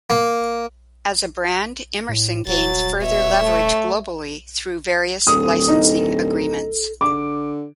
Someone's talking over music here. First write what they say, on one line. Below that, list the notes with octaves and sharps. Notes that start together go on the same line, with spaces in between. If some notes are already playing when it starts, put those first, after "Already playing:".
As a brand, Emerson gains further leverage globally through various licensing agreements.
A#3
A2
D#1 F#3 A6
B2 C#5 E5
A3
D1 A4 D#6
D#4
D3 D6